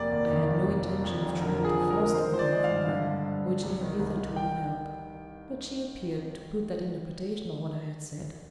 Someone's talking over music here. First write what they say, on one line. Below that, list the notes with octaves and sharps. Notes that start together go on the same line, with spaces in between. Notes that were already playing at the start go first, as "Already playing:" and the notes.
I had no intention of trying to force the reply from her which she had hitherto withheld; but she appeared to put that interpretation on what I had said.
Already playing: F1 A#3 D5
D#2
D#3
D#2
F1
D#3
F2
F1
D3 A#4
F3
G#4
F3
G#3 A#4
G#3 C5
F3 C5
D5
G#3
F5
G2
D3
G2
G2
G2
C2
D#3
C2
D#3
G5